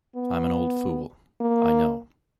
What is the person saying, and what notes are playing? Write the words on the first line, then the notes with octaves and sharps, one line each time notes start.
I’m an old fool, I know.
B3
A#3